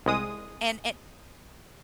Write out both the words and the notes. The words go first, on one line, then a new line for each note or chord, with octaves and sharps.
And and
C2 G#3 D#6